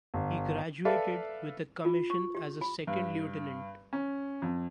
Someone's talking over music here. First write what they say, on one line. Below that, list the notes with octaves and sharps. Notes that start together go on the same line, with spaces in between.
He graduated with a commission as a second lieutenant.
G1
A4 B4 D5 E5 F5 A5
F4
C#6
G4
B5
G2
C#4
F2